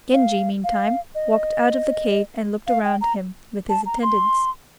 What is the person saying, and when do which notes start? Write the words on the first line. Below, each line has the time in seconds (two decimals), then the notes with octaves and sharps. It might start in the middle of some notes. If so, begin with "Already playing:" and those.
Genji, meantime, walked out of the cave and looked around him with his attendants.
0.13 F5
0.64 F5
1.15 D#5
2.67 F5
2.85 G5
3.01 A#5
3.69 A5
3.86 A#5
4.03 C6